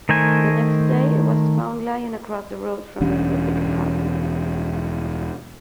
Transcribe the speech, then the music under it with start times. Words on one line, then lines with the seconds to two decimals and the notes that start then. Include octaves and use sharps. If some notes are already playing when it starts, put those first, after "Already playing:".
The next day it was found lying across the road from the public house.
0.09 D#3 A3 A#4 C5 G#5
3.01 E1 E3 C#4 D4